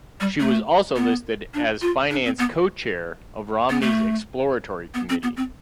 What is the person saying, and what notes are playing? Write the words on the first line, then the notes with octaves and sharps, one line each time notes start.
She was also listed as finance co-chair of Romney's exploratory committee.
G3
A3
B3
D4
F4
D4
C4
B3
B3
A3
B3
C4
B3
C4